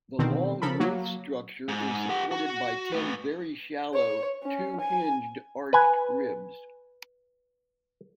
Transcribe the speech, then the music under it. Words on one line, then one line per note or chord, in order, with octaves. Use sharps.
The long roof structure is supported by ten very shallow "two-hinged" arched ribs.
B2 D3 D#3 C4
C#3 F3 A4 A#4 B5
F#3 A#3
G#2
G4 F#5
F#4
A3 B4
C#5
C#4
G#5
B4 G#5